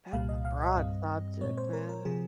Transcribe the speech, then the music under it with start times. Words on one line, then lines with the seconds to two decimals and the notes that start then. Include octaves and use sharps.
That's a broad subject, man.
0.13 C2 A#2 G3 F5
0.29 D#5
0.45 F5
0.62 D#5
0.77 G2 G3 C4
1.41 A#2 G#3 C4 C#5
1.57 C5
1.73 A#4
1.89 A#4
2.05 C3 F3 G#4